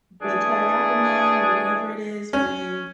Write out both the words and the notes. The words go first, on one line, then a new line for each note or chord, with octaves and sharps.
the triathlon or whatever it is where you
E3 A3 D4 G#4
C#4